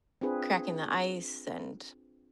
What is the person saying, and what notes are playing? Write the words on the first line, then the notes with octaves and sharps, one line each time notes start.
cracking the ice and
C4 D4 F4 G#4 B4